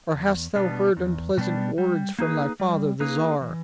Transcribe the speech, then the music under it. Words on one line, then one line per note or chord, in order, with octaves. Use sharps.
"Or hast thou heard unpleasant words from thy father the Tsar?"
E2
B2 G3 B3 D4
E2
B2 G3 B3 D4
G3
A#3 D#4 G#4 B4
G3
A#3 D#4 G#4 B4
E3